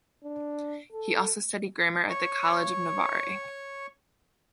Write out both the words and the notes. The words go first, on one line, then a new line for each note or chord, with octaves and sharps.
He also studied grammar at the College of Navarre.
D4
A4
C#5 C#6